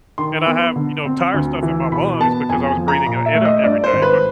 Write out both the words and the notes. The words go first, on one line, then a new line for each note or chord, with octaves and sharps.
and I have, you know, tire stuff in my lungs because I was breathing it in, uh, every day, but
D#3 C6
B3
D3
C4
D2
E3
B2 B5
B3 A5
F2 G#5
G#5
F3
A#5
A#2 A#5
E5
A3
D#5
G2 D5
C5
G#1
B4